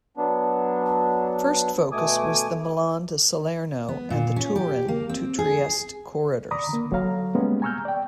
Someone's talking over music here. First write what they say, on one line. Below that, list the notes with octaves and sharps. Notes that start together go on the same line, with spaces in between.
First focus was the Milan to Salerno and the Turin to Trieste corridors.
F#3 B3 D4
B2 A3 G#5 D6 D#6
B3
A#2
C#4
G4
A#3
C4
G#4
D5 A#5 B5 D6 D#6
D3 A#3
F#3 A4 C#5 F5 A#5
G3 G#3 A#3 B3 C#4
G#5 A#5 C#6 E6 F6 G6
D5 G5